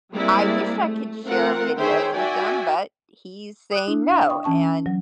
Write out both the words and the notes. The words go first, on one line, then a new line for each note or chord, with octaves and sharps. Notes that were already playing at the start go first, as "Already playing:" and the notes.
I wish I could share videos with him but he's saying no, and
G3 G#3 A#3 C4 E4 D5
A3
A3 C4 F4 A#4 F#5
D#3 G#4 C5 C#5 E5 G5
F#4 D5 E5 G5 G#5
D#6 F#6
D4 E4
F5
G5 C#6 D#6
E3 C#4 A5 C#6
F#3